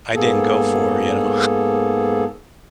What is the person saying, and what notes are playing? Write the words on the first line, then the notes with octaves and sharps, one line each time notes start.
I didn't go for, you know?
G#2 A#3 B3 G#4 A4